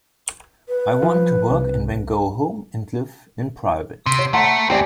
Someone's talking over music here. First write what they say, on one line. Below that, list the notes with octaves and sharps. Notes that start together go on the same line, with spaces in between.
I want to work and then go home and live in private.
B4
F3
C2
C3
C#5
A3 F#5 A#5 C6
D2 C4 G4 D5 G#5